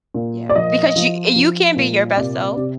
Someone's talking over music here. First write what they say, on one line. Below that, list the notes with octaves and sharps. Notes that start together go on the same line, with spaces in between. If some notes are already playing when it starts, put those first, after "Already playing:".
Yeah. Because you you can't be your best self,
A#2
D5
F3 D#5
F3
F3
A#2
C3 D5
C3